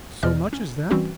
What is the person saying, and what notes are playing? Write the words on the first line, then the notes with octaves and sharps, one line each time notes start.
"So much as that?"
E2 B2 E3 D5 D#5 F6
C#4
E3 G3 C4 C#4 F#4